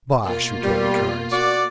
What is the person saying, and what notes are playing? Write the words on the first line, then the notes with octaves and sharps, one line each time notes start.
"Bosh!" retorted Carnes.
B2 A#3 F4
G3
F#4 D5